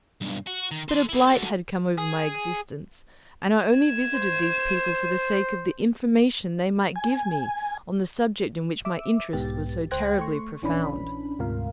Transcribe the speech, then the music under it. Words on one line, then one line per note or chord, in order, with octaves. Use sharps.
But a blight had come over my existence, and I only visited these people for the sake of the information they might give me on the subject in which my interest was so terribly profound.
B1 G2
F#4
D#3
A4 C6
A#3 E4
F#4 A4
G#4
G#6 E7
C5
G#5
E5 D6 E6
B1 G#2 B3 G4 A6
C#2 C5 G5 F#6 G#6 A#6
A3 C6 C#6
A#1 E3 C#4 D4 B5
D2 G#2 C3 F4 A#4 F5